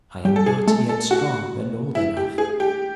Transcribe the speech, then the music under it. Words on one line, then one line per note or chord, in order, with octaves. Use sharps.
I am not yet strong and old enough.
G3 G4
A4
G#4
A3 A4
A4
F#4
E4
G4
G#4
G4